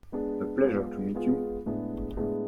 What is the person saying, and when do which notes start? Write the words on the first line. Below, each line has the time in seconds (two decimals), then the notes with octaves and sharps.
A pleasure to meet you.
0.12 G#3 B3 D4 G#4
0.63 G#3 B3 F4 G#4
1.15 G#3 B3 F4 G#4
1.66 A2 G#3 B3 D4 G#4
2.17 A2 G#3 B3 D4 G#4